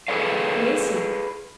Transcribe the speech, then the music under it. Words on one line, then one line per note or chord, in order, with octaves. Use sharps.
Who is he?
G#4 A4 B4 D5 F5